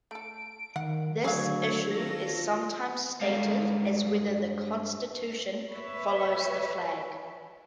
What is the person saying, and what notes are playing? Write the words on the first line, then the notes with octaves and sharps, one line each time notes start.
This issue is sometimes stated as whether the Constitution follows the flag.
A3 A4 D7
D#3 F#5
D3 F#3 A3 G#4 F5 G#6
D#3 F4 A4 A#6
G2 G#3 A4 F5
B4 C#5 E5